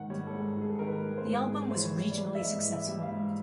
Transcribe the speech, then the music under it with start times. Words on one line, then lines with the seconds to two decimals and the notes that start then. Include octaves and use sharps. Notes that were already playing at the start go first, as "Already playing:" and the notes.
The album was regionally successful.
Already playing: G#2 D#3 F#5
0.10 G3 C#5
0.27 A4
0.33 G#2 G#4
0.56 G#2
0.61 G#4
0.69 A4
0.79 D#3 A#4
0.87 B4
1.02 G3
1.18 C5
1.25 G#2
1.48 G#2 G#4
1.71 E3 C5
1.80 C#5
1.96 G3
2.11 D5
2.18 G#2
2.35 E5
2.41 G#2 D#5
2.65 E3
2.73 E5
2.88 G3
3.02 F5
3.11 G#2